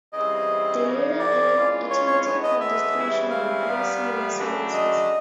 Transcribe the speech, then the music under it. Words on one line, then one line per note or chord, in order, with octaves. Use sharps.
They later added automatic call distribution and other similar services.
C#3 E3 G3 C4 D#5
C#3 F3 A#3
D5
E3 G#3 C#4 F4
C#5
C#5
A2 E3 G#3 B3 C#5
D#5
E5
C#3 E3 G3 C4 E4
F5
A#2 G3 B3
F#2 C#3 F#3 A3 D4
D#5